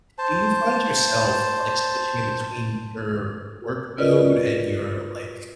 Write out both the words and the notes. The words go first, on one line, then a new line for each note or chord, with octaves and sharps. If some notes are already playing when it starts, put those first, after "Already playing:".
Do you find yourself, like, switching in between your work mode and your, like,
C5 A5
F4 F#4 A#4 B4 D5 D#5